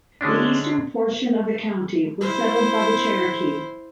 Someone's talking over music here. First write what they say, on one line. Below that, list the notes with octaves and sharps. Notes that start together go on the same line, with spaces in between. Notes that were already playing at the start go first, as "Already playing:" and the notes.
The eastern portion of the county was settled by the Cherokee.
D3 G#3 C#4 D4
E4 C5